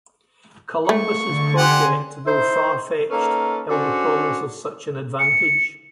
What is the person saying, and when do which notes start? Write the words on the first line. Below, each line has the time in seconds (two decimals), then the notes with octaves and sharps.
Columbus's project, though far-fetched, held the promise of such an advantage.
0.89 A3 C#6
1.28 D3
1.58 G4 F#5 G#5 C6
2.26 D#4 E4 C5
3.09 A#3 C#4 D#4 A4 B4
3.69 C#4 D4 F#4 A4 C5
5.19 C#7